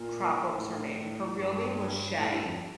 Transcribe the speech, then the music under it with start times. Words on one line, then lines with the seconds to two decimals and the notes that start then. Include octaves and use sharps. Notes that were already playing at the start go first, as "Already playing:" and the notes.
crap, what was her name? Her real name was Shay,
Already playing: A#2
0.56 A2
1.38 G2
2.19 A2
2.32 G2
2.44 F2